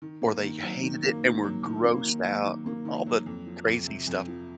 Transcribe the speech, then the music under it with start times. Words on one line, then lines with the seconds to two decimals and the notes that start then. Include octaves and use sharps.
or they hated it, and were grossed out, and all the crazy stuff
0.02 D#3
0.22 A#3
0.42 D#3
0.63 F#3
0.83 D#3
1.03 A#3
1.23 D#3
1.44 F#3
1.64 D#3
1.84 A#3
2.05 D#3
2.25 F#3
2.45 D#3
2.66 A#3
2.85 D#3
3.06 F#3
3.26 F2
3.47 F3
3.66 F2
3.87 C3
4.07 F2
4.28 F3